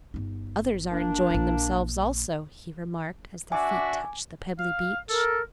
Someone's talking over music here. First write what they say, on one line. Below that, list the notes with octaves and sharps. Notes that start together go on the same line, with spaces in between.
"Others are enjoying themselves also," he remarked as their feet touched the pebbly beach.
G1 D#4
A#3 D4
A#1 E4
D4 F#4 E5 G#5 D6
F5
A4 A#4